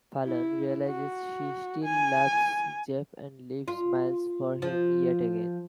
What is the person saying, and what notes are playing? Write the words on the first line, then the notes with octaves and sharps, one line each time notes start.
Fallon realizes she still loves Jeff and leaves Miles for him yet again.
E4
F#4
G#5
F4
F3